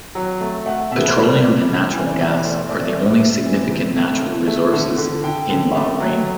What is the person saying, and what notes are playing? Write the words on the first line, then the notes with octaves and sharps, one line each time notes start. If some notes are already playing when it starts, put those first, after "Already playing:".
Petroleum and natural gas are the only significant natural resources in Bahrain.
F#3
A3
A3 F#5
B2 E5
B4
C5
G3 D5
C3
G3
E3
D5
B2 E5
D5
A3 C5
C5
A3 D5
A3
A3 E5
E3
C3
A3
D3
A3
D3
D3
D3 G5
D3
A3
F#3